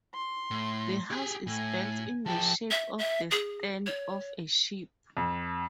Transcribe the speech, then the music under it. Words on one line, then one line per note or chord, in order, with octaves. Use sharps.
The house is built in the shape of the stern of a ship.
C6
A2
G4 G#4
A2 G#5
F3 G#4 G5 A5
E5
E5
G#4
C#5
F2